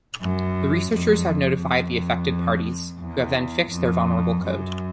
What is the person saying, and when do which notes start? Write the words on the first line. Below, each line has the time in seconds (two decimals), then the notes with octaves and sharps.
The researchers have notified the affected parties, who have then fixed their vulnerable code.
0.21 F#2
0.91 F2
1.60 F2
3.01 E2
3.71 F2
4.40 F#2